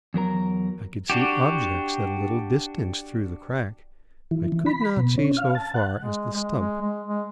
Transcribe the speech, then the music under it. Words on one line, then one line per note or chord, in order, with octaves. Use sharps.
I could see objects at a little distance through the crack, but could not see so far as the stump.
E2 F#3 A#4 A#5
D4 F#4 G4
E3
E3
B5
B2
C#4
F5
A5
F#5
G#3
G#3
G#3
G#3
G#3